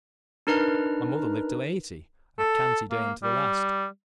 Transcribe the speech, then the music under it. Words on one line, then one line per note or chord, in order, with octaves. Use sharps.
My mother lived till eighty, a canty dame to the last.
D4 D#4 A#4 B4 A#5 F6
A4
A#3
G3